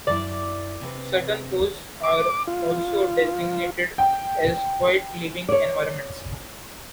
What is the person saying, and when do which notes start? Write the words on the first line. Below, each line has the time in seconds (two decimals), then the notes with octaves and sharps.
Certain floors are also designated as quiet living environments.
0.07 F#2 F#3 E4 D5
0.81 C3 C4 B4
2.03 D6
2.48 F4
3.98 G5
5.49 C#5 D5